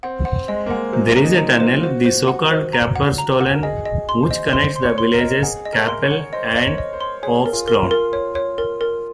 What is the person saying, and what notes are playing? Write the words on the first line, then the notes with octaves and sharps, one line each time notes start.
There is a tunnel, the so-called Kapplerstollen, which connects the villages Kappel and Hofsgrund.
C4 F#5
C4 F#5
G#3 D#5
A#3
G#3 F#5
F#3 C5
A#5
D#4
A#5
F4
C5
F#4 C5
C5
F#5
C5
A#5
F#5
A#5
F#5
A#4
G#4 D#5
D#5
C6
C5
D#5
C5 C6
C6
C#5
C6
A#4
D#5
G#4 F#5
D#5
A#4
C6
C#5
F#5
C#5
C5 D#5
D#5
C#5
D#5
C5
C6
G#4 C#5
A#4
F4
A#4
F4
A#4
C#5
C#5
A#4
A#4